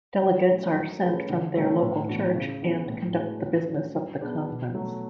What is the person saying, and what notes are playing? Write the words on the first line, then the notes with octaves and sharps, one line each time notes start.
Delegates are sent from their local church and conduct the business of the Conference.
F#3
A3 C#4 E4 A4
F#3
A3 C#4 G#4 B4
D3
F#3 A3 C#4
A2
E3 B3 D4 F#4
C#3
E3 B3 E4 G#4
A2
G#3 D4 F#4 B4
A3
C#4 F#4
F#3
B3 D4 G#4 B4
B2
F#3 A3